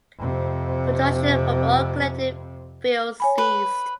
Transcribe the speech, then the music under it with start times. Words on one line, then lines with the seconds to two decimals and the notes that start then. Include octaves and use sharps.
Production from all connected fields ceased.
0.18 F2 C3
3.20 C#5 G#5 B5
3.38 B4